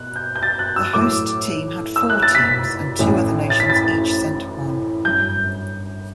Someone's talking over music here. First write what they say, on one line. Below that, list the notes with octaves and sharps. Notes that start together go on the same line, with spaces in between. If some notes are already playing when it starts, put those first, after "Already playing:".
The host team had four teams, and two other nations each sent one.
Already playing: B2 F#6
G6
G6
A6
F#6
E6
A2 F#3 A3 D6
E6
F#6
A6
B6
A1 A2 E3
A6
B6
A6
G1 F#2 F#3 G6